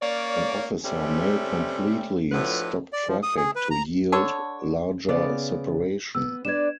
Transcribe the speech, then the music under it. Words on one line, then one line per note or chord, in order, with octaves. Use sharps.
An officer may completely stop traffic to yield larger separation.
A#3 C#4 C#5 D5
C3 G3 A3 C4 C#4
D2 A2 D3 F3 B4
D5
F3
D#6
G#4
B4
A#5
D3 A4 C#5
C#3 B3 D5
B3 E6
D4 B4 D5 G#6 E7